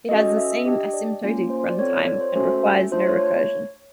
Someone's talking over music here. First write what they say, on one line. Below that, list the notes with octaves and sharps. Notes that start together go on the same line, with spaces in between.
It has the same asymptotic runtime and requires no recursion.
C#4 F#4 A4 D#5
D#5
E5
D4 G4 D#5
D5
A#3 C#4 F4
C5
D5
C4 F4 A4 C#5
D5
C#5
C5
A3 C#4 F#4 A4 C5
A3 D4 F4 C5
C#5
C#5